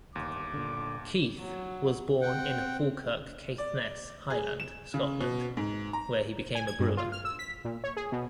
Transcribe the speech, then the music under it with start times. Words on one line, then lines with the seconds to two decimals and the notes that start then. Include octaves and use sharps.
Keith was born in Halkirk, Caithness, Highland, Scotland, where he became a brewer.
0.16 G1 D#2 D6
0.54 A#2 D3
1.40 F#3
2.21 C4 F#5 G5
3.58 D5
4.30 G#4
4.60 E7
4.94 C#3
5.21 B2
5.57 G#2
5.93 A#5
6.55 G#5
6.67 G#6
6.79 G2
6.97 F4
7.12 F6
7.25 E6
7.39 B6
7.65 A#2
7.84 C#5
7.97 G#4
8.12 B2